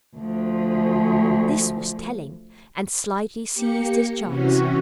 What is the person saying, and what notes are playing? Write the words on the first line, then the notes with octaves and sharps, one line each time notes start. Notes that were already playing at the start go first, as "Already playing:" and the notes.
This was telling, and Slightly seized his chance.
D2 F3
A#3 G4 C#7
C3 E3 C#4 F#4